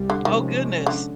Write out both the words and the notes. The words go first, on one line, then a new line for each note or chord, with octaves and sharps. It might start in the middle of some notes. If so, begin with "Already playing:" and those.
Oh, goodness.
Already playing: C2 G3
D3
C3 D#3 F3 G#3 C#4
D3